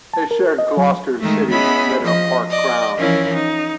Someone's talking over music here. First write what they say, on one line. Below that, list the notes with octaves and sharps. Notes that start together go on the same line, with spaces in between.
They shared Gloucester City's Meadow Park ground.
A5
A#4
D#5
F#3
D#3 G#3 A3
B3 C#4 E4 G#4 D#5 B5
F3 D#5
D5 D#5
E3 F3 C#4 E4 F4 A#4
D#4